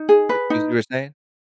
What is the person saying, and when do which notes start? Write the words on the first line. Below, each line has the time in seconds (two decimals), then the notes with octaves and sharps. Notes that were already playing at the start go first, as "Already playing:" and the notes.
The You were saying?
Already playing: D#4
0.09 G#4
0.29 B4
0.50 D#4